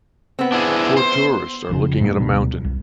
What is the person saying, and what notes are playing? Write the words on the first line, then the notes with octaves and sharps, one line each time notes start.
Four tourists are looking at a mountain.
B3 C4
D4 E4 G#4
C5
F1 F2 C#3
G#2 G3 G#3 A#3
D2 B2 G3
C2